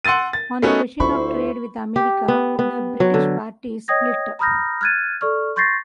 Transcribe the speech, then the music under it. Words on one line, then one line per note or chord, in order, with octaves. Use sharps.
On the question of trade with America the British parties split.
F#5 C6 E6 A6 D#7
A6
A3 B3 C#4 D#4 F#4
D2 E4 F4 C5 B5 C#6
G4
B3
B3
F#3
D3
C#5 D#5 G5 D#6 G#6 A#6
A#5 B5 D#6 F6 G6 A#6
F6 F#6 G#6 A6 D#7
A4 D5 C#6 F6
C6 C#6 G6 A6 A#6 C7